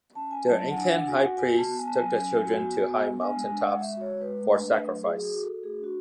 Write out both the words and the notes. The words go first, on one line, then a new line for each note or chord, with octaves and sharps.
The Incan high priests took the children to high mountaintops for sacrifice.
C#4 A5
C#4 G#5
F#3 A5
E4 A5
F#5
D4 G#5
D4 F#5
F#4 G#5
F#4 F#5
F#4 G#5
F#4
A5
B3
G#5
B3 A5
F#3 G#5
C#4
F#3
F#4
B3
F#4
B3
B3
D4 G#5
G#3 G#5
D4
F#5
G#3
G#3 E5
F#4 C#5
G#3
B4
G#3
A3
D4
A3
F#3
F#4 G#4
F#4 G#4
F#4
A4
F#4
A3 G#4
D4 F#4